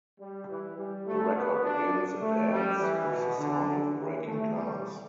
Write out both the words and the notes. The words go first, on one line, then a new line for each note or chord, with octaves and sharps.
The record begins and ends with the sound of breaking glass.
G3
E3
G3
A3
B3
D4
A3
G3
E3
B2
D3
E3
A3
G3